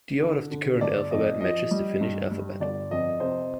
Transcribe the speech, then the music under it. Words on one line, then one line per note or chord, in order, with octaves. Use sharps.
The order of the current alphabet matches the Finnish alphabet.
D3
D3
G1 D5
F2 D#5
F3 D#5
G3
G2
G3
G1 D5
F2 D#5
C3 C5